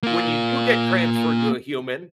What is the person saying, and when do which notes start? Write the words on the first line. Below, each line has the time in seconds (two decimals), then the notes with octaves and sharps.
when you do get transferred to a human
0.03 A#3 F4